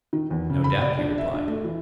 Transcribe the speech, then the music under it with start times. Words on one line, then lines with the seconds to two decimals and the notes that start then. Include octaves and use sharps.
No doubt, he replied.
0.13 D#3
0.31 E2
0.50 C#3
0.64 B5
0.81 D5
0.98 D4
1.18 E5
1.34 D4
1.48 A3
1.64 E3